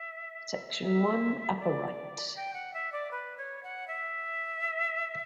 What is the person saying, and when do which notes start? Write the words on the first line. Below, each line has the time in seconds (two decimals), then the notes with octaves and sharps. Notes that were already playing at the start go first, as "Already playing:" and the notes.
Section One - Upper Right.
Already playing: E5
0.83 E5
1.59 D5
2.36 G5
2.54 F#5
2.73 E5
2.92 D5
3.11 B4
3.38 C#5
3.63 F#5
3.87 E5